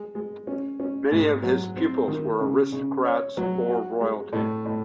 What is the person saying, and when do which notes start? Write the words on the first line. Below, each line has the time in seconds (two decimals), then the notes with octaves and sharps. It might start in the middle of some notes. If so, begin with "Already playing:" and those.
Many of his pupils were aristocrats or royalty.
Already playing: G#3
0.15 G#3
0.47 C#4
0.80 C#4
1.12 G#2
1.43 F#3
1.76 C4
2.08 D#3
2.40 C#3
2.72 C#3
3.05 C#5
3.37 F#3
3.69 F#4
4.01 G#3
4.33 A2
4.65 A2